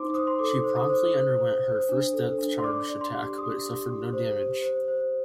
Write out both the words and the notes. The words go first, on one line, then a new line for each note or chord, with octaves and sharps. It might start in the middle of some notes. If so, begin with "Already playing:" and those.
She promptly underwent her first depth charge attack but suffered no damage.
Already playing: D#4 C5 C6 D6
C5 D#6
C6
A4 D6
C5
D#6
C5
C5
C5
C5
D4
A4
D4
C6
D5 D6
D5
C6
G4
G4 D#6
G4
G4
C5
G4
C5
C5